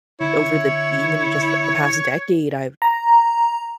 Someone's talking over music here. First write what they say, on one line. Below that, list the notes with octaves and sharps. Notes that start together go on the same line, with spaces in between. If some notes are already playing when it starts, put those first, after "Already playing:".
over the even just the the past decade, I've
D3 E4 C#5
A#5